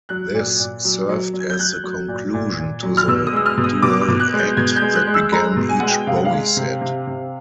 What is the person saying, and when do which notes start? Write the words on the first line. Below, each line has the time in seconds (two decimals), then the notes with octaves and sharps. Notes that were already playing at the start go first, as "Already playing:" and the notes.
This served as the conclusion to the dual act that began each Bowie set.
0.09 F#3 F#6
0.34 A#2
0.59 A#2
0.85 F#3
1.09 F#3
1.33 F#3
1.40 G#6
1.50 G6
1.59 F#3 F#6
1.84 F#3
2.08 A#2
2.34 A#2
2.59 A#2
2.83 F#3
2.97 F6
3.08 B2 E6
3.27 D#6
3.33 G#3 E6
3.46 F6
3.57 B2
3.64 D#6
3.82 B2 D6
4.01 D6
4.08 B2
4.20 F#6
4.33 G#3
4.39 G6
4.57 B2 G#6
4.76 G6
4.82 G#3
4.95 F#6
5.07 G#3
5.14 E6
5.32 G#3 A#5
5.57 B2
5.69 G#5
5.80 G#3 F#5
5.88 G5
6.07 C3 F5
6.16 F#5
6.25 F5
6.32 G#3
6.57 C3
6.81 C3
7.07 C3